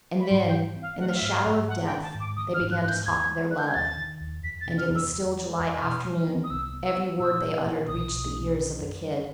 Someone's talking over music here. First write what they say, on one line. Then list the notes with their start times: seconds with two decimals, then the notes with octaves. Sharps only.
And then, in the shadow of death, they began to talk of their love; and in the still July afternoon every word they uttered reached the ears of the Kid.
0.20 B5
0.30 G#2 C6
0.48 G5
0.53 E3
0.76 C4
0.82 F5
0.99 A3 F#5
1.08 F5
1.16 E5
1.22 G#2 F5
1.46 G#2
1.68 G#3 F#5
1.85 G5
1.91 D#3
2.02 A5
2.15 G#2
2.20 D6
2.37 D#3 D#6
2.54 F6
2.60 G#2
2.71 F#6
2.82 G#2 F#6
2.88 G6
3.06 D#2 G#6
3.29 G#3
3.51 G#3 F#6
3.59 G6
3.67 G#6
3.75 D#2 A6
3.97 D#3
4.21 D#2
4.44 F2 B6
4.61 A6
4.66 C3
4.78 F6
4.90 F2
4.95 E6
5.13 F2
5.36 G#3
5.59 F2
5.81 B2 F6
6.05 G3
6.27 B3
6.44 D#6
6.50 C2 E6
6.73 B3
6.85 E6
6.97 B3
7.19 A#2 E6
7.42 G3
7.65 A#2
7.88 B1 D#6
8.11 B1
8.34 B1
8.57 D#3
8.80 F#2
9.03 G3